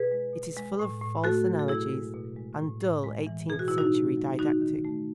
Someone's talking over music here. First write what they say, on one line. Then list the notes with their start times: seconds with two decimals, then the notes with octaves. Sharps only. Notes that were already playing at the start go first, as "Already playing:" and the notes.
It is full of false analogies and dull eighteenth-century didactics.
Already playing: B2 G#4 B4
0.11 G#3
0.33 B2
0.57 G#3
0.79 A2
1.01 A2
1.24 A3 F#4 A4
1.46 F#3
1.59 A4
1.68 B2 E4 G#4
1.92 G#3
2.14 B2
2.36 G#3
2.59 A2
2.81 A2
3.04 G#3
3.27 E3
3.49 B2 G#4
3.59 F#4
3.68 B2 E4
3.78 D#4 F#4
3.95 A3
4.17 F#3
4.39 D#3 D#4 F#4
4.62 D#3
4.85 A3